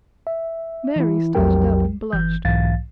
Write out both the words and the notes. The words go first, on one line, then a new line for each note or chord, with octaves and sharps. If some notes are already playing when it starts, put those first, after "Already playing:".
Mary started up and blushed.
E5
E3 E4
B1 F2 F#3 G4 A#4 G5
G1 E3 G6
B1 G#2 E3 F5 A6